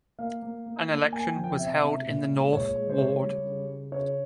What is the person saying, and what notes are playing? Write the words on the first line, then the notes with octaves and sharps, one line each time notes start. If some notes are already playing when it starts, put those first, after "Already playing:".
An election was held in the North Ward.
A#3 F5
A#3
A#3
A#3
A#3 G#5
G5
F3
G5
C3 E5
C3
A#2
G#3
A#2 C#5
G#3
C5
C#3 C#5
G3
C#3
C#3
C#3 C#5